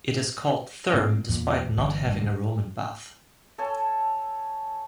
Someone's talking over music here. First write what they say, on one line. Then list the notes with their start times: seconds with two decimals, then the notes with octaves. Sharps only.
It is called Therme despite not having a Roman Bath.
0.94 G#2 C4
1.29 E2 A#2 E3
1.77 G1 E3
2.07 D1 G2 C3
3.58 A4 C#5 G#5 A5